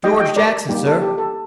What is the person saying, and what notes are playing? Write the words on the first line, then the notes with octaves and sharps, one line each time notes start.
"George Jackson, sir."
A3 D#4 G4 D#5 G5
D#5 G5
A#4 D5
G3 A#3 D#4 G4
A4
G4
A4